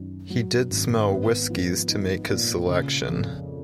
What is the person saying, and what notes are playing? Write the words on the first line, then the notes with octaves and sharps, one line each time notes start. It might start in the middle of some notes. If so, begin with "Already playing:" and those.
He did smell whiskies to make his selection.
Already playing: F#2 D#3
F#3
G#1
B3
F3
D#4
A#2
C#3
F2